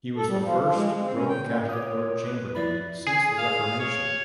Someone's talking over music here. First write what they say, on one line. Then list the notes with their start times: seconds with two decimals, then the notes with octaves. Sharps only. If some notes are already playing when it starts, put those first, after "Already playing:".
He was the first Roman Catholic Lord Chamberlain since the Reformation.
0.16 A4
0.28 G3
0.44 F3
0.61 F3
0.75 G#3
0.91 G#3
1.03 C4
1.15 C#4
1.29 G5
1.44 A#2
1.69 C#5 D6 D#6
2.24 B4
2.55 F3 E4 D5 B5
3.07 G#4
3.37 F5
3.79 C#5